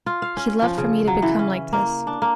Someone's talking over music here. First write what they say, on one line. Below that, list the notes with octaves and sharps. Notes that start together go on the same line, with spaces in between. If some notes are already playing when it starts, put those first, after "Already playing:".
He loved for me to become like this.
F4
F5
C#4
F3
C#3
F#3
E3
C#4
A#3
D4
A#3